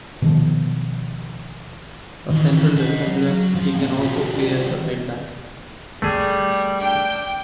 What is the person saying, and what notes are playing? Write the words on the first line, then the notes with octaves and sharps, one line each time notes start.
A central defender, he can also play as a right back.
B2 D#3 F3
D#3 E3
D#5 F#5
F#3
F3
A#2 C4
F3 G3
G3 A3 G#4
D4 G5